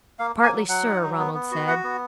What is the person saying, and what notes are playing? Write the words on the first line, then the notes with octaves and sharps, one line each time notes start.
"Partly, sir," Ronald said.
A#3 F5
A#3
G#5
F#3
F#3 F#5
D#4
F#3
B3
B3
F#4
F#4 F#5
B3